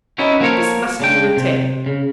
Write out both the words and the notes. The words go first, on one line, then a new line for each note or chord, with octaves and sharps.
This must be retained.
B3 C#4 D#4 E4 F#4
F3 A#3 F#4 A4 A#4 C#5
C#3 D4 G5
C3
C#3